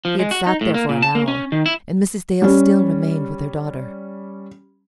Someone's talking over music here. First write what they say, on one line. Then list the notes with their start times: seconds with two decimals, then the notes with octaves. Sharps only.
He had sat there for an hour, and Mrs. Dale still remained with her daughter.
0.05 F3
0.19 G#3
0.31 F#4
0.47 D#4
0.61 A2
0.74 A#3
0.89 A#2
1.02 A5
1.15 A#3
1.28 C#4
1.52 D#3
1.66 E4
2.42 G3 C#4